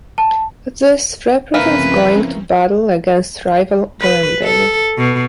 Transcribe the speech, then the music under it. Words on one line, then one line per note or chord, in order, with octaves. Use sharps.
This represents going to battle against rival Glendale.
A5
G1 C#3 E3 F3 A#3 C4 C#4 B4
B4
A4
B2